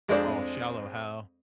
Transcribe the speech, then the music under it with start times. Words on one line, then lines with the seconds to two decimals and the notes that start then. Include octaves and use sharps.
Oh, Shallow Hal.
0.08 F2 G#3 C4 D4 C5 D5